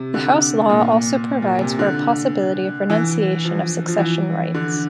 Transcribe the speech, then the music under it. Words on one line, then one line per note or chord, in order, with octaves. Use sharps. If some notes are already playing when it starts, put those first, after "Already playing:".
The house law also provides for a possibility of renunciation of succession rights.
Already playing: C3
D3
A#2
A#2
C3
D3
E3
F3
F3
E3
D3